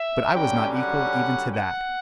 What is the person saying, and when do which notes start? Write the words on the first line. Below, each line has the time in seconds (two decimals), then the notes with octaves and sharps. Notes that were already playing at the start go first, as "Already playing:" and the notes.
But I was not equal even to that.
Already playing: E5
0.33 F#2 D3 G3 C#4 G5
0.73 F#5
1.53 F#5